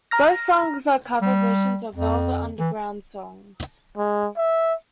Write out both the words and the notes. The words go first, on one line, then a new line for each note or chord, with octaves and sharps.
Both songs are cover versions of Velvet Underground songs.
A#5 F6 A#6
G3
F2
E3
G#3
E5